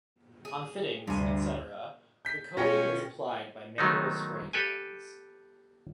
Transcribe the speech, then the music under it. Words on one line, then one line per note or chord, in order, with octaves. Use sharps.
On fittings, etc., the coating is applied by manual spray guns.
G#4
D2 G2 C3 G#5
G6 B6
B2 C#4 F4 C#5 G5 A#6 C#7
D#3 F#3 G#3 A3 B3 D#4
G4 A4 B4 G5 G#5